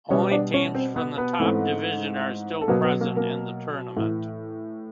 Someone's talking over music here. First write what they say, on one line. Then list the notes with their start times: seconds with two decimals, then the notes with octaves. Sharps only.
Only teams from the top division are still present in the tournament.
0.10 B2 G3 B3 C#4 C#5
0.31 D4 D5
0.54 C#4 C#5
0.75 C4 C5
0.96 B3 B4
1.18 B3 B4
1.39 G#2 E3 A3 C4
2.61 A4
2.68 B2 F#3 A#3 B3 A#4
2.84 B3 B4
3.01 A#3 A#4
3.16 A#3 A#4
3.97 A2 E3